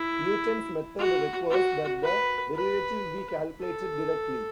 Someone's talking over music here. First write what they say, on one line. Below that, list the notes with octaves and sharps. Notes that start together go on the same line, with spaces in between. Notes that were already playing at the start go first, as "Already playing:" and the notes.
Newton's method requires that the derivative be calculated directly.
Already playing: E4
F#4
F#4
B4
B4
A4